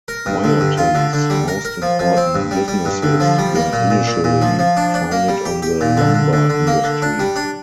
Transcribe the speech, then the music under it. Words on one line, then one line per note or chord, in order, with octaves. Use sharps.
Wiarton's most important businesses were initially founded on the lumber industry.
A#4
G2
D3
G2
F4
D3
D3
G3
A#4
A#4
F3
F3
C4
G2
G3
G3
G2
D3
F3
G3
A#3
A#2
A#2
A#2
A#2
F3
F3
D4
D4
A#3
G3
G4
G4
A#2
D3
D3
D3
D3
A#3
D3
D4
G3
D4